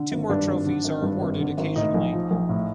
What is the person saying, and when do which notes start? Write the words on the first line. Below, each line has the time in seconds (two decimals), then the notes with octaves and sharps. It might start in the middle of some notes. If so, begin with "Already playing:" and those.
Two more trophies are awarded occasionally.
Already playing: D3
0.12 G#1
0.29 G2 D4
0.47 G#1
0.66 D3
0.84 G#1
1.02 G2
1.21 G#1
1.39 D3
1.58 G#1
1.76 A2 D#4
1.94 A#1
2.13 F3
2.31 A#1
2.49 A2